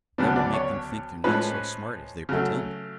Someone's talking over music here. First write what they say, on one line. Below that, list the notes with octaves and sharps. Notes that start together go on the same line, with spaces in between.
"That will make them think they're not so smart as they pretend."
D2 C#3 F#3 B3 D4
D5
C#5
A2 F3 G#3 C#4 B4
C#3 F#3 A3